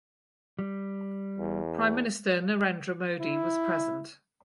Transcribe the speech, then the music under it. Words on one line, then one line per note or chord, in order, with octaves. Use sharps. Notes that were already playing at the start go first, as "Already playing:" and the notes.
Prime Minister Narendra Modi was present.
G3
E2
E4